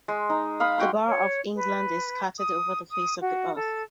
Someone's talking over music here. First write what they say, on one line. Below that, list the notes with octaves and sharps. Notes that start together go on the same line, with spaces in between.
The bar of England is scattered over the face of the earth.
G#3
D#4
F5 B5 D#6
F#4 G5 C6
C#5
B4
D#6
D#6
F#4
A4